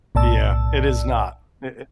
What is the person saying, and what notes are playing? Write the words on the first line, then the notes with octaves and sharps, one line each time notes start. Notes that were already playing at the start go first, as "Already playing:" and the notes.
Yeah, it is not. I It
B1 A2 D5 A5 E6